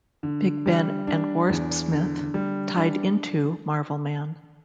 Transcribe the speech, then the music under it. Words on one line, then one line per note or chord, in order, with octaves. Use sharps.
"Big Ben" and "Warpsmith" tied into "Marvelman".
D3
G3
D4
E2
D3
G3
D4